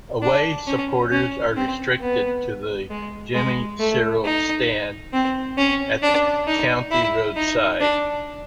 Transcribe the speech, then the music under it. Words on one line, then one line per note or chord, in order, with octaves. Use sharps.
Away supporters are restricted to the Jimmy Sirrel stand, at the County Road side.
D4
C#4
C#4
C4
B3
G#3
G#3
A3
D#4
C4
C#4
D4
D#4
E4
D#4
D4